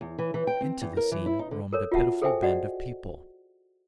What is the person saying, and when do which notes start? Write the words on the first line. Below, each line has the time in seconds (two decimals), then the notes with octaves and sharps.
Into the scene roamed a pitiful band of people.
0.01 E2
0.19 E3
0.34 E3
0.47 G5
0.61 C4
0.82 E2
0.97 A#4
1.12 E3
1.26 E4
1.39 D#4
1.51 D3
1.73 A4 A#4 C#5
1.92 F4 F#4 E5 F#5 A5
2.22 G#4 A4 C5 E5 G5 G#5
2.43 F#4 D5 D#5 F#5